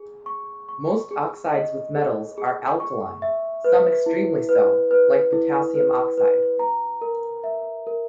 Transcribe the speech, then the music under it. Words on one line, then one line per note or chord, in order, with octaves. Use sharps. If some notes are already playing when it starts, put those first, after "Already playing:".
Most oxides with metals are alkaline, some extremely so, like potassium oxide.
Already playing: G#4
C#6
C#6
G#4
D#5
G#4
G#4
C#6
E5
B4
E4
B4
B4
E4
B4
B4
A#5
A#4
E5
A#4